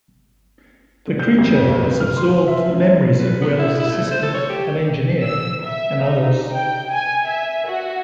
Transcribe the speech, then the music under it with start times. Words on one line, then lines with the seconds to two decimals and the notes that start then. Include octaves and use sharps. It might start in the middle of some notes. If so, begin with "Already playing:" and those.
The creature has absorbed the memories of Wells' assistant, an engineer, and others.
1.08 D3
1.19 G6
1.39 G#1
1.55 F2
1.69 B1
1.83 B4
2.00 F6
2.16 C6
2.48 E5
2.72 F#2
3.20 B4
3.41 B3
3.59 E4
3.79 E4
3.92 A3
4.11 C5
4.23 A4
4.34 C#5
4.50 G4
5.22 E6
5.65 E5
6.01 D#4
6.53 G5
6.91 G#5
7.26 E5
7.67 F#4